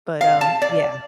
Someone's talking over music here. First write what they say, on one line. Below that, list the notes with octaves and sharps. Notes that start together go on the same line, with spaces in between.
But, um, yeah.
F5
A5
D5